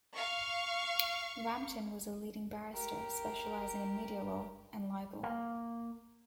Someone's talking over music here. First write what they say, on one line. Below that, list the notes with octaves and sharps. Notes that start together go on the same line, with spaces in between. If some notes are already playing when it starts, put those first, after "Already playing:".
Rampton was a leading barrister specialising in media law and libel.
F5 C#6
G4 A#4
A#3